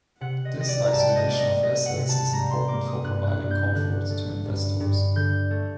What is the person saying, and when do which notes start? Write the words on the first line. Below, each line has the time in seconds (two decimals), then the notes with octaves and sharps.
This isolation of assets is important for providing comfort to investors.
0.21 C3 F#5
0.45 D#5
0.57 C3 D#5
0.68 D5
0.86 A#5
0.92 G3 A5
1.00 G5
1.08 F#5
1.16 D#5
1.27 A#3 D5
1.39 D#5
1.62 C3 D#5
1.86 F#5
1.97 C3
2.09 A5
2.33 G3 A#5
2.51 C6
2.68 A#3 D6
2.86 D#6
3.04 G2 F#6
3.27 F#6
3.39 G2
3.51 G6
3.74 D3 F#6
4.10 A3
4.45 G2
4.80 G2
5.15 D3 G6
5.51 A3